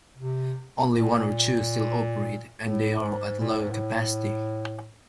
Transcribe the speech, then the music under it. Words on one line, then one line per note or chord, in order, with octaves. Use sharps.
Only one or two still operate and they are at low capacity.
C3
A#2
A2
G#2
A#2
A2
G#2
A2